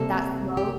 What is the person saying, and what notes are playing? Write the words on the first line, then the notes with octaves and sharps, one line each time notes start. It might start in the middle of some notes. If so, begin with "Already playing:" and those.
that smoke.
Already playing: C3 G3 A#3 A4
G4